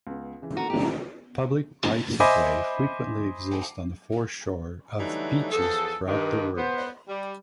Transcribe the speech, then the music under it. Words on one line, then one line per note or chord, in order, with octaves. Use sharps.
Public rights of way frequently exist on the foreshore of beaches throughout the world.
C#2 B3
C#3 E3 E5
A#3 F#4 A4 A#5 D#7
F3 G4
C5 D#5 E5 G#5 B5 D6
D3 E3 F#3 G3 A3 D#4
E2 F3 G#4 A4
G2 D#3
B3 C5
G3